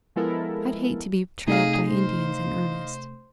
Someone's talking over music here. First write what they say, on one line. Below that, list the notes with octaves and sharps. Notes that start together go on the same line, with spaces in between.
I'd hate to be trailed by Indians in earnest.
F3 G#3 B3 E4 A4 A#4
C3 A3 D#4 G#4 F5
C5